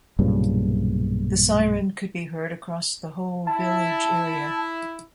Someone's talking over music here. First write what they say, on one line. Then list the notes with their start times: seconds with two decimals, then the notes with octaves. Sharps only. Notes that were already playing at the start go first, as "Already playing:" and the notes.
The siren could be heard across the whole village area.
0.19 B1 G2 A#2 C#3
3.47 E4 A5